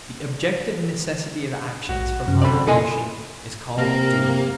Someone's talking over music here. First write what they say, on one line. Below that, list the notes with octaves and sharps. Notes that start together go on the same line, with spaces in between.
The objective necessity of actions from obligation is called duty.
A#1 F#4
F#2 C3
D3 C4 D5 B5
B2 E4 A4 D#5 G#5 B5 C6
C3 A#3 A#4